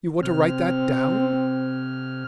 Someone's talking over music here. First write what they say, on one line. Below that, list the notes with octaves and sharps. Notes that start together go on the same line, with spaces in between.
You want to write that down?
C3 C4 F6